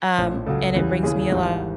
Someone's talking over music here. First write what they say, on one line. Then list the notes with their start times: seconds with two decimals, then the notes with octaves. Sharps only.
um, and it brings me a lot
0.18 A#1 A2 F3
0.46 C#2 C#3 F#3 A4
0.75 E2 C#3 E3 G3
1.03 D#2 C#3 E3 G#4
1.32 G#1 G#2 E3 G3